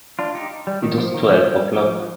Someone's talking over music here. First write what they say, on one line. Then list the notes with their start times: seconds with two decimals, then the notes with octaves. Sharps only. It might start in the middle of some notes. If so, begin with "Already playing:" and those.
It was twelve o'clock.
0.19 D4 F4
0.35 D#4 G4
0.67 G3
0.82 D#3
0.98 F3
1.14 D#3
1.30 F3
1.46 G3
1.77 F3